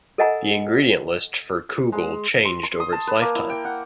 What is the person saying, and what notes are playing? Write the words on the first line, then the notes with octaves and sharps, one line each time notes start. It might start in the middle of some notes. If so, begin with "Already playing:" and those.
The ingredient list for Koogle changed over its lifetime.
A4 A#4 D#5 F#5 G#5 A#5
G#3
C6
C6
D#6
A5
B4
A#3
E4
G5
F#5